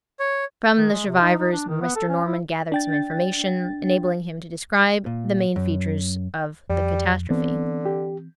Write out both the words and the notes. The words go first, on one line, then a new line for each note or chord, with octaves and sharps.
From the survivors Mr. Norman gathered some information, enabling him to describe the main features of the catastrophe.
C#5
D#3
G#3
C3
D#4
D#4
D4
D#3
B3
A4
C#4
E4
D4 G5 A6
A#2
F#2
F2 G3
D3 E3 B3 C4
G4